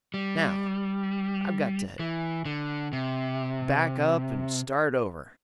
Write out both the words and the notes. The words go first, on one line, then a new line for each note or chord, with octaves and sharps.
Now, I've got to back up and start over.
G3
E3
D3
C3